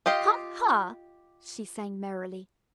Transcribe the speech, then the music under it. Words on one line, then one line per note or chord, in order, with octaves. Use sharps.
"Ha, ha!" she sang merrily.
F4 G4 D#5 F5